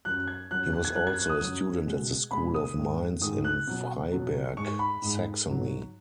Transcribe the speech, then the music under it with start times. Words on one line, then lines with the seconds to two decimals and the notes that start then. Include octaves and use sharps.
He was also a student at the School of Mines in Freiberg, Saxony.
0.05 F#2 F#3 F#6
0.27 G#6
0.51 F#2 F#3 F#6
0.73 F#6
0.85 G#6
0.96 F#2 F#3 F#6
1.07 G#6
1.19 F#6
1.29 D#6
1.41 F#2 F#3
1.86 B2 G#3
2.31 B2 G#3 B5
2.54 D#6
2.77 G#2 D#3 G#3
3.21 G#2 D#3 G#3 D#6
3.44 F#6
3.67 B2 F#3
4.12 B2 F#3
4.57 G#2 G#3 C#6
4.79 B5
5.02 G#2 G#3
5.47 G#2 F#3